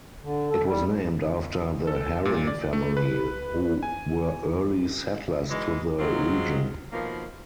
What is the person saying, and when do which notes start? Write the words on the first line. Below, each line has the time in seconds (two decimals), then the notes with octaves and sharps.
It was named after the Haring family, who were early settlers to the region.
0.23 D3
0.50 A4
0.66 G3
1.87 A4
2.25 A#2
2.47 D5
2.73 A3
2.97 B4
3.83 G#5
5.50 G#2 B2 E3 G#3
5.99 F#3 G#3 C4 F4
6.92 B2 D#3 F3 A#3